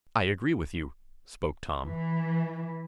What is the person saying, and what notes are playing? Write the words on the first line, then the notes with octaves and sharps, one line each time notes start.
"I agree with you," spoke Tom.
E3